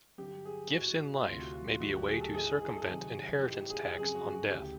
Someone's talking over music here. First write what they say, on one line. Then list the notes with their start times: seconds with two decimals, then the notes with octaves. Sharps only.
Gifts in life may be a way to circumvent inheritance tax on death.
0.18 G2 D3 F#3 G4
0.45 G#4
0.72 G#2 E3 F#4
1.26 D2 C3 E3 F4
1.40 F#4
1.53 F4
1.67 F4
1.80 D2 D3 F#3 F#4
1.94 G4
2.08 G#4
2.21 A4
2.34 G#2 E3 G#4
2.62 G#4
2.70 A4
2.78 G#4
2.89 F2 C3 D#3 F#3
3.43 G#2 E3 G4
3.70 G#4
3.97 F2 C#3 F#3 G#4
4.15 F#4
4.33 F#4
4.51 D2 C#3 E3 G4